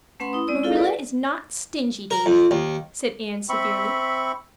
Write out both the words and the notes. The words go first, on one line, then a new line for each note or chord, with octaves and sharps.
"Marilla is not stingy, Davy," said Anne severely.
A3 C#4 B4 F#5 B5 C6
E4 D#6
G#3 C4 D5 E6
E4 F4 G#4 A4 F5
B4 D5
A#4
F2
D#2
C4 E5 B5 C#6